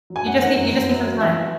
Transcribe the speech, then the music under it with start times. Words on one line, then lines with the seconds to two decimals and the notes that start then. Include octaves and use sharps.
You just need you just need some time.
0.10 F#3
0.16 G#5
0.26 F#2 F#5
0.42 D#3 F#5
0.57 F#2
0.73 F#2
0.89 F#2
1.04 F#3
1.21 E3 E5
1.37 E3